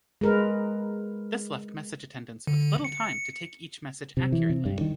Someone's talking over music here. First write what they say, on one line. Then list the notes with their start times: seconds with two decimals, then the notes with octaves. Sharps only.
This left message attendants with little time to take each message accurately.
0.21 G#3 A#4 B4
2.47 D3
2.84 C#7
4.17 C3
4.32 E3
4.50 C3
4.66 G2
4.81 D#3